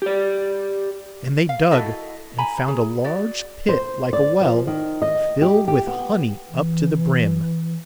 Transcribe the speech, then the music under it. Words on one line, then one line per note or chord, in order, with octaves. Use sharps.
And they dug, and found a large pit like a well, filled with honey up to the brim.
G4 D5
F5
E4 F#4 A4 D#5
G#5 A#5 B5
G#4
F#4 D5
C5
D5
F3
D#3
D#5
G4
G4
B3
E3